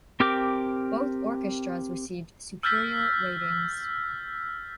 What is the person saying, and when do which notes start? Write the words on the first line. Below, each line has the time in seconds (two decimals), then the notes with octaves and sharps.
Both orchestras received superior ratings.
0.20 C4 G4 A#4 G5 D6
2.63 E6 F6 G6 A6 B6